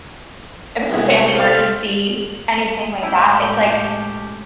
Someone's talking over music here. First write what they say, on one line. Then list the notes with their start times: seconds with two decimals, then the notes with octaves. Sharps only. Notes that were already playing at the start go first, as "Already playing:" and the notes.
If it's a family emergency, anything like that, it's, like
0.90 C2 G#3 B3 G#4
1.32 A4 C5 F5
3.03 A2 G#3 C#4 E4 G4 A5